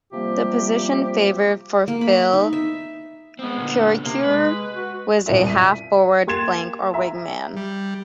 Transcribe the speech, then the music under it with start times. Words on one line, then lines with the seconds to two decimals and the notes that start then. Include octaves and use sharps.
The position favoured for Phil Krakouer was as a half forward flank or wingman.
0.13 C3 F3 G3 A#3 G4
1.88 A#3
2.01 B5
2.33 D#4
2.53 E5
3.39 G#3 B3 C4
3.57 A#2 D3
4.05 C3 A#3
4.24 G#3 B4
4.73 F#4
5.26 D#1 C2 F4 E5
5.47 B6 D#7
6.27 A#3 G4 C6 G#6 A6 E7
6.94 E5 A#5
7.57 G3